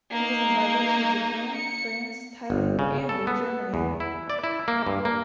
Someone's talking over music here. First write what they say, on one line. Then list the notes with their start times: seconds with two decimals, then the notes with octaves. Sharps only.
He was invited to Japan, France, Thailand and in Germany.
0.11 A#3 D#4
1.55 C#7
2.50 G1
2.79 C#3
3.09 A4
3.27 B3
3.74 E2
4.00 E4
4.30 D5
4.44 E4
4.68 A#3
4.87 G2
5.05 A#3